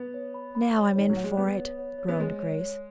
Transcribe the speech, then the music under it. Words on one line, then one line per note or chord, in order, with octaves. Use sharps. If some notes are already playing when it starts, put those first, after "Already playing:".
"Now I'm in for it," groaned Grace.
Already playing: B3
C#5
B5
B5
C#5
D#3 C#5
F#3
F#5
G#3
B3 F#5
C#5
C#5
C#5
B3
G#3 C#5
C#5
C#5